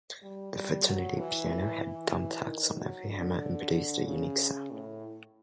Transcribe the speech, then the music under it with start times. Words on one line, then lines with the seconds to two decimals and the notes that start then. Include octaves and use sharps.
The fraternity piano had thumbtacks on every hammer and produced a unique sound.
0.22 G3
0.54 G3
0.86 F#3
1.18 E3
1.82 E3
2.46 D#3
2.78 F#3
3.10 D3
4.06 C#3
4.71 A2